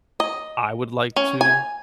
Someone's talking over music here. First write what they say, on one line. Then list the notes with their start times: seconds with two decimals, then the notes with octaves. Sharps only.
I would like to,
0.20 D#5
1.16 C#4
1.41 G#5